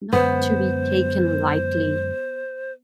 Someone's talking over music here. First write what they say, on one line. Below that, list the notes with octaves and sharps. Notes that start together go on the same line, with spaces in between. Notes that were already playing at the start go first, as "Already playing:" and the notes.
Not to be taken lightly.
F#2 D3 G#3 B3 C5